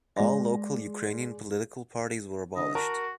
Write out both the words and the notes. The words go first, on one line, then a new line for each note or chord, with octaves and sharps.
All local Ukrainian political parties were abolished.
G#3 D5 A#6
D3 D#5
F#4 A#4 A5